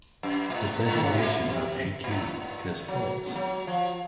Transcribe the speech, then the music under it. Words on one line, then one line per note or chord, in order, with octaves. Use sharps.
The designation of "a camp" is false.
F#2
A#2
A2
A2
D#3
C#3
C3
A#2
C3
A#2
A2
A2
F#3
F#3
F3